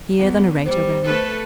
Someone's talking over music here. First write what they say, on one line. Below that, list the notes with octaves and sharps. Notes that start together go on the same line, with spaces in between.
Here the narrator rang off.
E2
G3 C5
A3 A4 B4